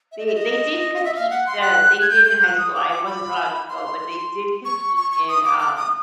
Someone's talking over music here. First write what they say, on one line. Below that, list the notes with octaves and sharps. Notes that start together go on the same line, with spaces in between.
they they did compete, uh, they did in high school. I wasn't allowed to go, but they did compete in, um,
E5
D#5
E5
D#5
D#5
E5
F5
F#5
C6
F#6
G#6
G6
G6
F#6
D#6
D6
D6
B5
C6
C#6
C#6
C#6
D#6
D6
D6
D#6